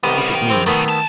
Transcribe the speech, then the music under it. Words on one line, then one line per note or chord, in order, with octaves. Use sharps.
Look at me.
C2 D#3 B3
G3 C#4
D#3
A#1 C4
B2 D#3 F#3 A3 B3
A#3 A5